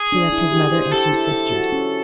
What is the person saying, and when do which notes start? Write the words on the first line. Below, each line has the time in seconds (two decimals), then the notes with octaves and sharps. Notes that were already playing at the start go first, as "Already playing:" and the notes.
He left his mother and two sisters.
Already playing: G#4
0.12 D4
0.32 E4
0.52 G4
0.72 C5
0.92 G4 A4
1.13 E4
1.32 E4
1.52 F#4
1.72 C#4